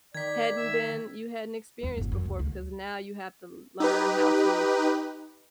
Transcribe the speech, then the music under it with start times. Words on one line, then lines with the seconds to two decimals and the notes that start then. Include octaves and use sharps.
hadn't been you hadn't experienced before because now you have to learn how to
0.15 D#3 D5 G#6 B6
0.57 E5
1.83 E2
1.97 G1 E2
2.12 F#2
2.25 C#2
2.39 D2
3.80 D#4 G4 B4